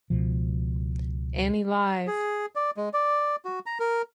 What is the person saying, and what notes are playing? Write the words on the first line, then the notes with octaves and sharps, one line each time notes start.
Annie Live!
C#2 B2 F3
G#4
D5
G#3
D5
F#4
A#5
A#4